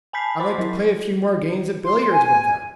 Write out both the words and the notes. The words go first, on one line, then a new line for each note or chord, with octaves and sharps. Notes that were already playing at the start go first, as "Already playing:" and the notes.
I'd like to play a few more games at billiards with him.
G#5 A5 B5 G6 B6 C7
C5 B5 C6 D6
F#3 E4
C6
G#5